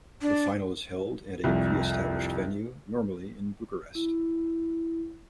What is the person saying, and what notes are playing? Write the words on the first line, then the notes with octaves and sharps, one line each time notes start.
The final is held at a pre-established venue, normally in Bucharest.
D4
C2 F2
E4